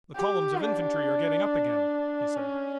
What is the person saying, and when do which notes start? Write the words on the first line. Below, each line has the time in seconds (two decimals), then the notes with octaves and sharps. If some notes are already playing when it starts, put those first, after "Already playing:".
"The columns of infantry are getting up again," he said.
0.16 G4
0.61 D4
2.36 C#4